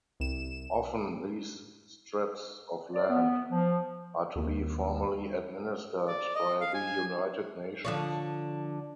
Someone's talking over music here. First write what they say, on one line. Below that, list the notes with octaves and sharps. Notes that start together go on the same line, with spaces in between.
Often these strips of land are to be formally administered by the United Nations.
C2 E7
D5
B3
F3
D#2
D5
D#5
F5
G#5
D3 F3 C#5